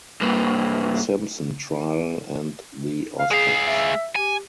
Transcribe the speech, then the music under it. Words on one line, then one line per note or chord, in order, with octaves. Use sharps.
Simpson trial and the Oscars.
G2 G3 A#3 B4
F5
G#3 G#4 F5
E5
G4 G#5